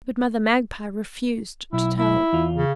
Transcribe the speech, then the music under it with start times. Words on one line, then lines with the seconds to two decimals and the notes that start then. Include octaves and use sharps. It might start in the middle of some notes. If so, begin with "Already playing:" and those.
But Mother Magpie refused to tell.
1.73 B1 E4
1.98 E4
2.33 E2 F4
2.55 C#3